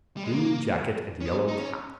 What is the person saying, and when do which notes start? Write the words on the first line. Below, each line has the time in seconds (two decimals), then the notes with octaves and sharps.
Blue jacket and yellow cap.
0.17 G3
0.24 G#3
0.31 A#3
1.21 C#4
1.26 B3
1.48 D#4
1.58 C#4